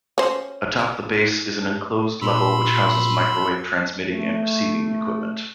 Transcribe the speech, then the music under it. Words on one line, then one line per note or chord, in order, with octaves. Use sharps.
Atop the base is an enclosed level which houses microwave transmitting and receiving equipment.
C#4 C5
A#2 B5 C6 E6
A3